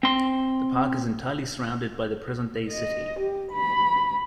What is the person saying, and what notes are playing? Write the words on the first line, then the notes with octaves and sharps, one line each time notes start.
The park is entirely surrounded by the present-day city.
C4 C6
D#5
G4
B5